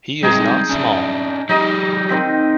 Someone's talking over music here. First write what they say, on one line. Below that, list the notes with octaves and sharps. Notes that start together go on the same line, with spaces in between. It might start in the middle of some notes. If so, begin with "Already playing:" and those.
He is not small.
G3 G#3 C4 D#4 G#4
C#4 D4 E5
F#3 D#4 G4 D#5
D#3 C4 B5